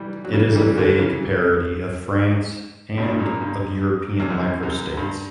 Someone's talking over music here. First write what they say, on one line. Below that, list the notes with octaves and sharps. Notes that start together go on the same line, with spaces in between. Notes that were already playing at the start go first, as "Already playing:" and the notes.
It is a vague parody of France and of European microstates.
Already playing: E3 G3
F#3
C#3 E3
E3 G3
D3 F#3
C#3 E3
G2 B2
G2
F#2 A#2
G2
E2
F#2
F#2
G2